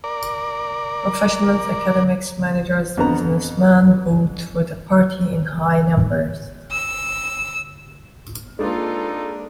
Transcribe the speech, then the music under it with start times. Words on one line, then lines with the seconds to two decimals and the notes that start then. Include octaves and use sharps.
Professionals, academics, managers, businessman vote for the party in high numbers.
0.04 A#4 D5
2.97 F2 D3 B3 A#5
6.71 E6
8.59 G#3 A#3 C4 D4 D#4 F4 A4 B4